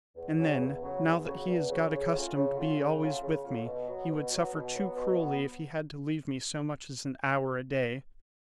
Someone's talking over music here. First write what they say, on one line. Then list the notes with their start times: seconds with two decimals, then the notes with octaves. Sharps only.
And then, now that he has got accustomed to be always with me, he would suffer too cruelly if he had to leave me so much as an hour a day.
0.16 E2
0.38 C#3 F#3
0.59 E2
0.82 C#3 F#3
1.03 E2
1.25 C#3 F#3
1.46 E2
1.68 C#3 F#3
1.90 C#3
2.12 F#3 A3 C#4 F4
2.34 C#3
2.56 F#3 A3 C#4 F4
2.77 C#3
3.00 F#3 A3 C#4 F4
3.21 C#3
3.43 F#3 A3 C#4 F4
3.64 B2
3.86 F#3 B3
4.09 B2
4.31 F#3 B3
4.52 B2
4.74 F#3 B3
4.95 B2
5.17 F#3 B3